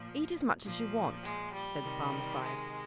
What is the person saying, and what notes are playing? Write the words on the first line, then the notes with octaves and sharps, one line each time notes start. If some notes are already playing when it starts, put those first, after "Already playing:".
"Eat as much as you want," said the Barmecide.
Already playing: A#2 F3
A#2 F3
G#3
G3
C3 D#3
G#3